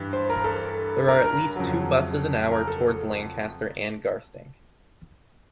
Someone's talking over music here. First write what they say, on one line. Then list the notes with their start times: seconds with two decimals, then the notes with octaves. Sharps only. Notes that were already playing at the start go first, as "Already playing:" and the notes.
There are at least two buses an hour towards Lancaster and Garstang.
Already playing: G2 E3 G3
0.13 C5
0.30 A#4
0.44 A4
1.08 A#4
1.25 A#4
1.56 F2 C#3 F#3
2.52 A#4
2.67 A4